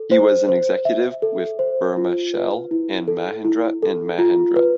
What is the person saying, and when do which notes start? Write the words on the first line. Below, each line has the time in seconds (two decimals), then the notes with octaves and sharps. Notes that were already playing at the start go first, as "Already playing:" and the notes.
He was an executive with Burmah Shell and Mahindra and Mahindra.
Already playing: A4
0.11 C5
0.48 C5
0.85 E5
1.22 A4
1.59 C5
1.97 F4
2.34 B4
2.71 E4
3.08 A4
3.45 E4
3.82 A4
4.18 F4
4.56 B4